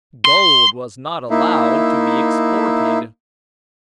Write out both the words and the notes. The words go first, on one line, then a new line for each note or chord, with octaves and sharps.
Gold was not allowed to be exported.
C6
A#3 D#4 E4 E5